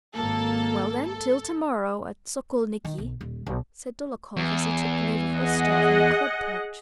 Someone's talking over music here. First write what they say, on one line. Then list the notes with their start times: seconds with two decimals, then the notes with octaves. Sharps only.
"Well then, till tomorrow at Sokolniki," said Dolokhov, as he took leave of Rostov in the club porch.
0.14 G#1 A#3 A4 A5
1.04 A4
2.85 D#3
2.98 B1
3.21 D#1
3.46 B1
4.36 E2
5.36 G#4 D#5 F#5